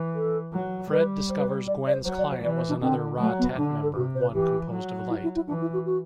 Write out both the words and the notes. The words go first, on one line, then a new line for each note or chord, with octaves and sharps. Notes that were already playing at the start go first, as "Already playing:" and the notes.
Fred discovers Gwen's client was another Ra-tet member, one composed of light.
Already playing: E3
A4
F#3
G3 B4
C5
B4
C5
D5
D5
C5
F#3 C5
D5
C5
E3 D5
C5
D4
D3 C4
F#3 A3
B3
D3 D4
A4
C3 F#4
C5
B4
E3 G4
F#3
E4
E4
E4
E3 D4
E4
F#4
F#4